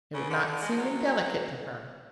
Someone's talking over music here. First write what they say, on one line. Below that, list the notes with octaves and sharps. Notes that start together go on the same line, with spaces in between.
It would not seem indelicate to her.
C#3
D3
D3
G#3
F3
F#3